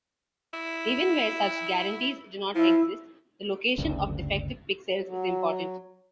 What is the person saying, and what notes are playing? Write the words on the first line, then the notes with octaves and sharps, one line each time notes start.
Even where such guarantees do not exist, the location of defective pixels is important.
E4
F3 E4
G1 D2 G2 C#3
F#3